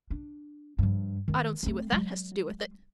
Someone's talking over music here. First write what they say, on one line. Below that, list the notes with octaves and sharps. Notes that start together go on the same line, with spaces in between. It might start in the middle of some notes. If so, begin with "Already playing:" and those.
I don't see what that has to do with it.
D4
G2 F3
D#3 A3
A3 C4
F#3 G#3